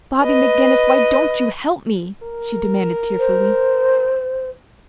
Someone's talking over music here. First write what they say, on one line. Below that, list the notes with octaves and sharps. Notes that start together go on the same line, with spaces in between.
"Bobby McGinnis, why don't you help me?" she demanded, tearfully.
B4 D#5
A#4
C5